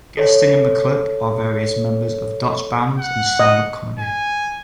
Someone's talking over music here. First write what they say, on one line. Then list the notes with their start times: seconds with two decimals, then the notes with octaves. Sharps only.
Guesting in the clip are various members of Dutch bands and standup comedy.
0.17 A4 C#5
2.99 F#5
3.39 D#5
3.99 G#5